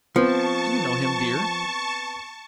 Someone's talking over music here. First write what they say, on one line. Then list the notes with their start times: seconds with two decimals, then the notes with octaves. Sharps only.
"Do you know him, dear?"
0.16 F3 B3 C4 A5 C#6